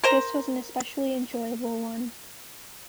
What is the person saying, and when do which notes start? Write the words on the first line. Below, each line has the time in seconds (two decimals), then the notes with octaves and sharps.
This was an especially enjoyable one.
0.04 A#4 C5 A#5